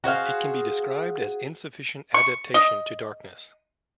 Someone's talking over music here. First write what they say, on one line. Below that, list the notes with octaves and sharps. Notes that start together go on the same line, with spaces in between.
It can be described as insufficient adaptation to darkness.
F#4 G#4 C5 F5
C#6
D#5